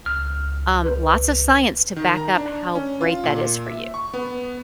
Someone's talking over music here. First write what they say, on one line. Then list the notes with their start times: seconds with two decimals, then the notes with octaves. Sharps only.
Um, lots of science to back up how great that is for you.
0.06 C#2 F6
0.84 B4 C#5
1.96 D#3
2.17 A#5
2.37 D4
2.75 C#4
3.01 F4
3.24 A#2
3.66 E5
3.94 C#6
4.14 B3